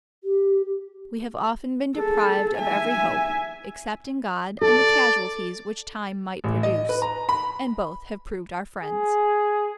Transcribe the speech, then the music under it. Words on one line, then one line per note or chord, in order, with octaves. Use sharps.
We have often been deprived of every hope, except in God and the casualties which time might produce, and both have proved our friends.
G4
G#4 A4
E5 G#5
A4 D5
A1
D#5
B4
A#5
B5
G#4